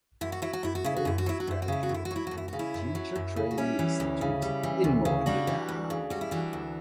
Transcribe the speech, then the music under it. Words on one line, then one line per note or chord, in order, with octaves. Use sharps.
He later graduated from the teacher training institute in Modra.
F#2 E4
F#4
F#3 E4
F#4
F#2 E4
F#4
C#3 E4
F#4
F#2 E4
F#4
F#3 E4
F#4
F#2 E4
F#4
C#3 E4
F#4
F#2
E4
F#4
F#3 E4
F#2 F#4
E4
C#3 F#4
C#4 E4
F#2
F#3
F#2
C#3
F#4
G3 C#4 E4
E3
D2
C#3
G3
E3
D2
C#3
G3 D4 F#4
E3
D2
C#3
G3 F#4
E4
E3 D4 F#4
D2